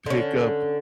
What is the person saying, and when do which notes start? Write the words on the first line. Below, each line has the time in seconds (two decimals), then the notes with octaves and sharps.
pick up
0.06 D3 C#4